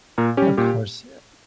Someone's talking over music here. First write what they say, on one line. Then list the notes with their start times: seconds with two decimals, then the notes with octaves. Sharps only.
Of course, yea
0.18 A#2 A#4
0.37 C#4 G4
0.42 G3
0.57 A#2 G4